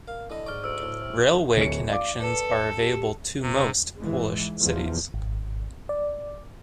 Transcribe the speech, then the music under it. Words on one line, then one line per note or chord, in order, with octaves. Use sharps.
Railway connections are available to most Polish cities.
A#3 F5
D3 E3 D#5
G#2 D5 C#6 F6
D2 E6 D7
A2
C3
D1 C#5 C#7
D5 F5 D6
A4 B4
G4
C3
G#2 E3 G#3
E2 F3
G#1
D5